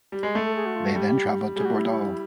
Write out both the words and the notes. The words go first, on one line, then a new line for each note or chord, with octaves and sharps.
They then travelled to Bordeaux.
G3
G#3
A3 G#4
A4
G#4
F#4
F4
F#4
G3 G4
G3 G#4
F#4
E4